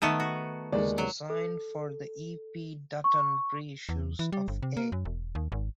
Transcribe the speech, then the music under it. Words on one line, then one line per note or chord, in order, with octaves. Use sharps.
His design for the E. P. Dutton re-issues of A.
D#3 A3 B3 C#7 D#7 E7
F#4
D#2 G#3 D5
F#3
A4
C#6
E2
E3
G3
G1
C3
A#3
F#2
E1
D#2
G#1